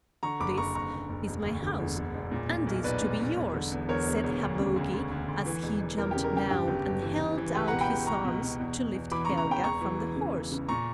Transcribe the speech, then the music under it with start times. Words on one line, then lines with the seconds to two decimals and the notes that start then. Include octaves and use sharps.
'This is my house, and is to be yours,' said Habogi, as he jumped down and held out his arms to lift Helga from the horse.
0.23 D3 A#5 C#6
0.40 F#1 B5 D6
0.57 F#1 A#5 C#6
0.75 F#1 A#5 C#6
0.93 F#1
1.10 F#1
1.27 E1
1.45 D2
1.62 D3
1.80 E1
1.97 D3
2.15 E1
2.31 A#2
2.49 A#2
2.67 B1
2.84 B1 B4 D5
3.02 A#2
3.19 B1
3.36 E1
3.54 D3
3.72 E2
3.89 E2 A#4 C#5
4.06 E1
4.24 E1
4.41 D2
4.59 C#3
4.76 D2
4.93 D2
5.11 D2
5.28 D2
5.46 E3
5.63 E1
5.81 E1
5.98 E2 A#4
6.11 C#3 G4
6.24 A#4
6.33 C#3 G4
6.50 G2 G4
6.68 G1
6.85 G1
7.03 E3
7.20 G1
7.37 E3
7.55 C#2 G4 B4
7.68 B2 F#5 A#5
7.81 G5 B5
7.90 C#2
8.07 C#2 A#5 C#6
8.25 B2
8.42 B2
8.60 E2
8.77 E2
8.95 E2
9.11 E3 B5 D6
9.25 A#5 C#6
9.29 C#3
9.38 A#5 C#6
9.47 E2 G5 B5
9.64 E1 A#5 C#6
9.81 E3
9.99 E3
10.16 C#3
10.34 C#3
10.52 C#3
10.68 A#2 A#5 C#6